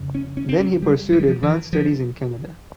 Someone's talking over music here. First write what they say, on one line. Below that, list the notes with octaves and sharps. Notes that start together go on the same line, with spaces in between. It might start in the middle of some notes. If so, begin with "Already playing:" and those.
Then he pursued advanced studies in Canada.
Already playing: F2 C#3
C#4
C#4
C4
C#4
G3
F3
G3
F3
E3
F3